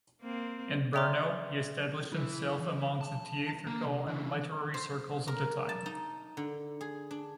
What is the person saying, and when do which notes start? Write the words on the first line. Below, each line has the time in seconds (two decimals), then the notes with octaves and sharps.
In Brno, he established himself amongst the theatrical and literary circles of the time.
0.22 A#3 C4
0.93 D5 E5 G5 A#5 C6 D6
2.12 E4 B4
2.59 E3
3.01 A5
3.67 A#3 A#5
3.85 C3
4.07 D3 E3
4.74 C5
5.28 A#4
5.69 A5
5.86 D#4
6.37 D3
6.81 G#4
7.11 D4